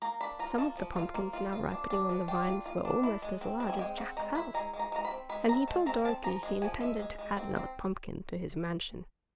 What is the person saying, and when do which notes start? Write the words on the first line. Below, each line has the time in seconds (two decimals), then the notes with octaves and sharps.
Some of the pumpkins now ripening on the vines were almost as large as Jack's house, and he told Dorothy he intended to add another pumpkin to his mansion.
0.02 A#3 A#5
0.21 D4 B5
0.39 F4 A#5
0.58 A#3 A5
0.77 F3
0.96 F4
1.14 A#3
1.33 F4
1.52 F4
1.72 D4
1.90 D4
2.09 F3
2.28 D4 G5
2.47 F4
2.66 F4
2.85 D4
3.03 E4
3.22 G#3
3.41 C4
3.60 C4
3.70 G#5
3.79 G#3 G5
3.98 C4 F#5
4.17 G#3 A#5
4.35 E4 B5
4.54 G#3 A#5
4.73 G#3
4.79 A#5
4.92 G#3 A#5
5.05 B5
5.11 C4
5.29 G#3 B5
5.48 C4 A#5
5.67 G#3 A5
5.86 C4 A#5
6.05 C4 A5
6.24 F3 A#5
6.43 G#3
6.62 F3 G#5
6.81 G#3 E5
6.99 G#3
7.18 G#3
7.37 C4
7.56 C4